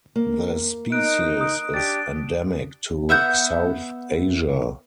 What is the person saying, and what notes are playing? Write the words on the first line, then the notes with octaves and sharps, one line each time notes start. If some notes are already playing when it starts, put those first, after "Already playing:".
The species is endemic to South Asia.
A#3
D#4 F#6 D7
D#6 D7
D4 G4 A6 D7
B3 E5 F#5 G6